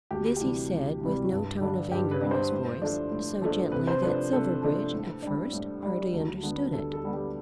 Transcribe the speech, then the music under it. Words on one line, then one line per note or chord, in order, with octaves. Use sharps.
This he said with no tone of anger in his voice,--so gently that Silverbridge at first hardly understood it.
D2 G4
C3 E3 G3 G4
D2
C3 E3 G3
G2
D3 G3 D4
G2 G4
B4
D3 G3 D4
C5
A2
F3 A3 D4
A2
F3 A3 D4
C3 B4
C5
F3 A3 D4 B4
C3 A4
F3 A3 D4
A2
G3 D4
A2
G3 D4
D2
D3 G3 B3
D2 A4
A4
D3 G3 B3
G4